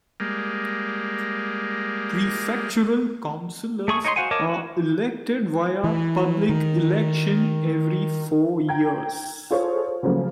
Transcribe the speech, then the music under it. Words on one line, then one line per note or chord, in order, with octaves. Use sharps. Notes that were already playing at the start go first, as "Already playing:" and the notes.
Prefectural councillors are elected via public election every four years.
G3 G#3 A#3
A3 G#4 C#6
D#4 C#5 D#5 G5 C6
F#4 C5 F5 F#5 G#5
A#4 C#5 D#5 A5 D6
F#4
E3
D#3
G5 A#5 G#6
F4 G#4 A4 C5 C#5
C#3 F3 F#3 A3 A#3